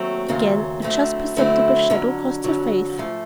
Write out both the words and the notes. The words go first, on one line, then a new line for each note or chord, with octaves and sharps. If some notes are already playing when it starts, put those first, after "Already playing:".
Again a just perceptible shadow crossed her face.
Already playing: D#2 F#3 A3 C4
D#2 C#3 F#3 A3 C4
D3 F#3 A3 C4 E4
D3 F#3 A3 C4 E4
F2 D3 F#3
F2 D3 F#3
G#2 F3 A3